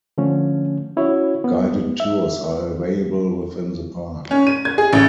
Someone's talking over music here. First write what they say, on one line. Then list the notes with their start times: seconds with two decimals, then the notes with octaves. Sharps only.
Guided tours are available within the park.
0.18 D3 F3 A3 C#4
0.96 C#4 E4 F#4 C#5
1.44 B3
2.00 E5
4.31 C#4
4.47 D#7
4.65 G#6
4.78 G#4
4.93 A1